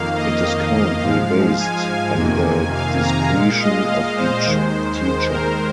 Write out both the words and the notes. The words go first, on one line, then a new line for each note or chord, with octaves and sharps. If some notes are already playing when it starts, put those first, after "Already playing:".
It is currently based on the discretion of each teacher.
Already playing: F2 D#3 A#3 F5
D#5
G#2 F3 G#3 F5
G#5
G#5
F2 C3 D#3 A#3
F5
A#5
A#2 G#3 F5
D#5
F5
C5
D#2 D#3 G#3
C5
A#4